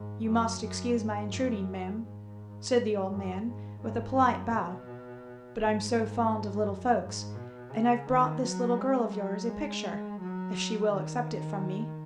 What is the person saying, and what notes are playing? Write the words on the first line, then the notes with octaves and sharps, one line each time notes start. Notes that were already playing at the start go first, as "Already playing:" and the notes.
'You must excuse my intruding, ma'am,' said the old man, with a polite bow; 'but I'm so fond of little folks, and I've brought this little girl of yours a picture, if she will accept it from me.'
Already playing: G#2
F#2
F#2
G#2
F#2
G#2
F#2
G#2
G#2
F#2
B2
G#2
F#2
G#2
B2
C#3
D#3
F#3
G#3
F#3
G#3
F#3
D#3